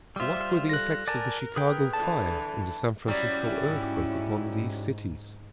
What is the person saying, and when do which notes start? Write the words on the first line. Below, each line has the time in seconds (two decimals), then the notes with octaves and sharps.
What were the effects of the Chicago fire and the San Francisco earthquake upon these cities?
0.16 G3 F4 C5 E5
0.69 A4 F#6 A#6
1.08 A#4 D5 G#5 A5
1.56 G#4 B4 G5
1.93 D3 E3 A5
3.08 F#3 G3 C#4 E4
3.62 G#2